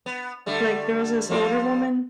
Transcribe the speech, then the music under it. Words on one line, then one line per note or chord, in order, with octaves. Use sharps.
like, there was this older woman,
B3
D3 G3 A3
F3 G3 C4